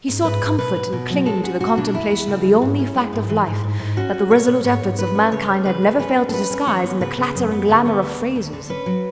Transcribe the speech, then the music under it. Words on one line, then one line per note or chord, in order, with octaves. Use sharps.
He sought comfort in clinging to the contemplation of the only fact of life that the resolute efforts of mankind had never failed to disguise in the clatter and glamour of phrases.
G#2
G#2 B4
G#2
B2 B4
B2
B2
F#3
G#3 A4
C#4 F#4
B2 F#4
B2 D4
E2 E4
B3
C#3
E2
G#2
C#4
G#3
G#2
E3
G#2
G#2
G#2
C#4 F#4
C#4
B2 C#5
B2
G#2 C#5
G#2
G#2 B4
C#4
C#3 C#5
C#4
C#3 B4
C#3
C#4 B4
C#4
A4
A3 B4
C#4
E3 C#5
B3
C#3 B4
C#3
F#2
B3
D3
B3
D2
D2
D2
D3
C#4 B4
F#3